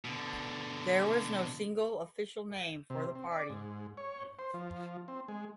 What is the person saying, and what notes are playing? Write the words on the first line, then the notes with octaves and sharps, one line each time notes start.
There was no single, official name for the party.
B2 D3
C3
C4
D5
G#2
C#5
C5
F3
C4
G#3